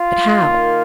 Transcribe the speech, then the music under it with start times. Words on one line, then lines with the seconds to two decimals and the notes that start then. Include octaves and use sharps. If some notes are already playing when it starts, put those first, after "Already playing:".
But how?
Already playing: F4
0.39 D#3 A#3